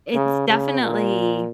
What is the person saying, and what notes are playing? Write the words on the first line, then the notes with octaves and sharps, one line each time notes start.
It's definitely
C#3
C#3
A#2